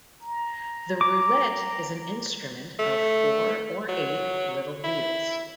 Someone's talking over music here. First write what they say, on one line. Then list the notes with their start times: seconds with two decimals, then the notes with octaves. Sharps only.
The roulette is an instrument of four or eight little wheels.
0.23 A#5
1.01 D6
2.79 A3
3.89 F#3
4.84 E4